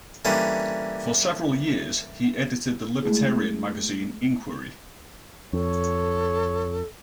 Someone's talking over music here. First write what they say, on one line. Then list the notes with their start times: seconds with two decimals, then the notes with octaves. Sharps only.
For several years he edited the libertarian magazine "Inquiry".
0.25 D3 E3 G3 A#3 C#4
3.03 G#3 A3 E4 G#4
5.53 F2 A4 C#5